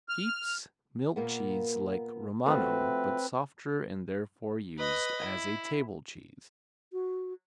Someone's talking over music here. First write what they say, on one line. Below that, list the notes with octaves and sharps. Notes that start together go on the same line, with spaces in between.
Sheep's milk cheese like Romano but softer, and therefore used as a table cheese.
F6
A#2 A#3 B3
F3 A3 C4 F#4 B4
B4 D#5
E4
F#4